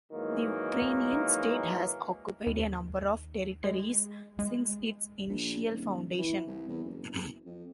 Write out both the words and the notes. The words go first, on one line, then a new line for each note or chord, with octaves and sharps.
The Ukrainian state has occupied a number of territories since its initial foundation.
G#2 D#3 E3 F#3 A#3
D#2
G#3
G#3
A#1
D#1
E3
C2
E2
F#1
F2